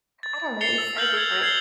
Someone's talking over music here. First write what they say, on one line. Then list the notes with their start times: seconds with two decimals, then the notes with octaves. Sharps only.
I don't know, it's so different
0.23 A6
0.61 A6 C7 C#7 F7 G7
0.78 E6
0.97 F6 G6 F#7
1.14 E6 G#6
1.42 G#6 C7 F7 G7